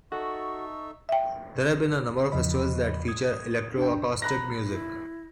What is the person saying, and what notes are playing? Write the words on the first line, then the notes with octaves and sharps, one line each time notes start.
There have been a number of festivals that feature electroacoustic music.
D#4 F#4 A4 E5 C#6
E5 G5
E2 C#3 F3 D#5 B5
D#6 G#6
D4 G5
A#5 B5 F#6 A#6
E4